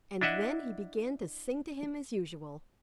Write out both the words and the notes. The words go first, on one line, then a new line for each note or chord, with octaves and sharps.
And then he began to sing to him as usual.
D4 E4 D#5 E5 F#5